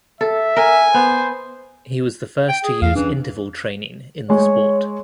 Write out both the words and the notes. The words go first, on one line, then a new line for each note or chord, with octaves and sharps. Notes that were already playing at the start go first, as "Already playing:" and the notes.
He was the first to use interval training in the sport.
A4 E5
A#4 G#5
B3 C5
G5
G#4
E2 F5
E3 C#4 D4
G#3 C#5